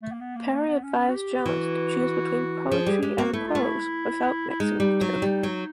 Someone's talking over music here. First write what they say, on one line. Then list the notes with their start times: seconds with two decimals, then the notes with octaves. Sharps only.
Parry advised Jones to choose between poetry and prose without mixing the two.
0.03 A3
0.12 A#3
0.20 B3
0.36 A#3
0.52 A#3
0.67 B3
0.83 C#4
1.09 F#4
1.14 G4
1.45 E3 F#4
2.71 F3 G#4
2.86 G3 G#4
3.03 G#3 G4
3.18 A#3 F#4
3.33 A3 E4
3.47 F4
3.55 A3
3.61 E4
4.49 E4
4.60 G#3 D#4
4.80 G3
5.01 F#3
5.22 G3
5.43 F#3